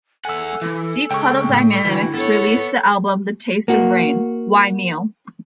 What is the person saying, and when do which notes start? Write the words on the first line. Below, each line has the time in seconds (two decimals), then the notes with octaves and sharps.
Deep Puddle Dynamics released the album The Taste of Rain... Why Kneel?
0.25 A4 E5 F#5 G#5 E6
0.62 E3
1.11 C#2 G5 C#6
1.46 A2
1.85 D3 E3 E4 F#4
2.14 B3 A4 C#5
3.68 A#3 F#4